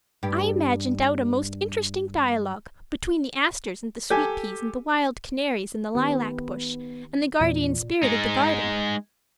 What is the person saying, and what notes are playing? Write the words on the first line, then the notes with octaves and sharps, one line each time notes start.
I imagined out a most interesting dialogue between the asters and the sweet peas and the wild canaries in the lilac bush and the guardian spirit of the garden.
G2 G4
G4 A4 G#5
D#3 B3 G4
E2 A#2 D5
G#3 D#4